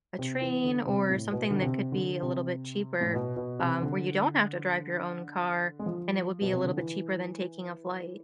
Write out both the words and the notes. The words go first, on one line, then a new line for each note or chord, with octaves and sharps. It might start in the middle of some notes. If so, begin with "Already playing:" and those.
a train or something that could be a little bit cheaper, um, where you don't have to drive your own car, and it would be a little bit cheaper than taking a flight.
C3
E3
D3
C3
A2
B2
D3
C3
D3
C3
A2
B2
B2
C3
D3
G#3
F3
B2
C3
D3
E3